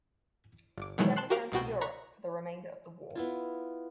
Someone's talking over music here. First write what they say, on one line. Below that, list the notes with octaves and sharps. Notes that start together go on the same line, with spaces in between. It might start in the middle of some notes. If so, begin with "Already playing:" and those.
He then returned to Europe for the remainder of the war.
G1 D6
B2 D#3 E3 F#3 G#3
A5 C6 F#6 C7
F#4 G4 A#4 F5
C2 B2 F#4 G5
A#5 B5 C#6 F#6
B3 E4 F4